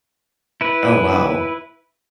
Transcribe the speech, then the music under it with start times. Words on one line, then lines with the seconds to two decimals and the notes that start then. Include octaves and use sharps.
Oh, wow.
0.61 E4 B4